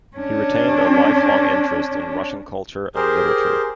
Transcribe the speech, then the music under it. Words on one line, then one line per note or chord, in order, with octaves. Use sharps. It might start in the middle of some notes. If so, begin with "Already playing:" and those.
He retained a lifelong interest in Russian culture and literature.
C#4 D4
G4 G#4 A#4 C5